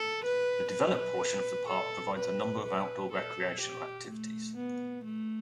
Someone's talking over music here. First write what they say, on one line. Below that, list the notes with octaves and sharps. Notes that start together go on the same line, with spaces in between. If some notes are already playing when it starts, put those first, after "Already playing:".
The developed portion of the park provides a number of outdoor recreational activities.
Already playing: A4
B4
B4
A4
B4
B4
A4
G4
A3
B3
A3